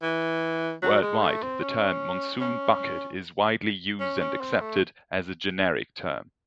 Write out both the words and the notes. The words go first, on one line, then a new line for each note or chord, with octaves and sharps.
Worldwide, the term "monsoon bucket" is widely used and accepted as a generic term.
E3
F#3
G#3
A3
C4
C#4
C#4
C#4
C#4
C4
A3